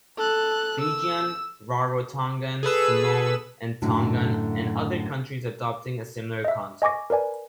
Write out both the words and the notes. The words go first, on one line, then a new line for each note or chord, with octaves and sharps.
Fijian, Rarotongan, Samoan, and Tongan and other countries adopting a similar concept.
A4 F#6
E6
G#4 A4 B4 E6
F#2 A2 D3 F#3 D#4
D#5 E5
D#5 G#5 C#6 D6 A#6
A#4 B4 D5 G#5